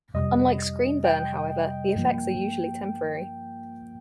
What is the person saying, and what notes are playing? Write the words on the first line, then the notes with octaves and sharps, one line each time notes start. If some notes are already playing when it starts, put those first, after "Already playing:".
Unlike screen burn, however, the effects are usually temporary.
F2 C3 G3 D#5
G5
G2 F3 A#3